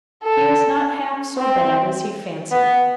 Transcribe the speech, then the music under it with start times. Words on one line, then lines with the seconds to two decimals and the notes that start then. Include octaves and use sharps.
He is not half so bad as he fancied.
0.23 A4
1.38 C4
2.52 B3